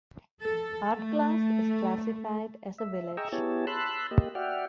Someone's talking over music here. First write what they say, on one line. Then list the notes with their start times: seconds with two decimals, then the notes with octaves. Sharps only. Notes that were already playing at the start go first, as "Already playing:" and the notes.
Ardglass is classified as a village.
0.42 A4
0.96 A3
2.78 E5
3.17 G#4 D#5 G5 A#5 C#6 E6
3.32 B3 E4 G4 G#4 C#5 A5
3.67 A5 B5 C6 E6 F#6
4.11 A#3 G4 D#5
4.35 F#4 D5 E5 F#5 G5 F6